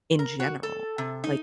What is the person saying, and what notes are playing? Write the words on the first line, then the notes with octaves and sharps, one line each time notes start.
in general. Like,
A#4
F#4
A4
C3
D#4